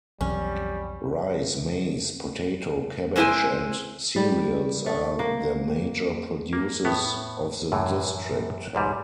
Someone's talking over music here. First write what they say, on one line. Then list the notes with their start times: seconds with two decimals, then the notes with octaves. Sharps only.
Rice, Maize, Potato, Cabbage and cereals are the major produces of the district.
0.21 B1 F2 E3 G3 C#4
3.16 G#3 C4 E4 G4 G5 G#5
4.16 G3
4.86 A3
5.19 A#3
6.53 A#3
6.85 A2 B3
7.72 F#2 A2 E3
8.73 B1 E2 G#2 G3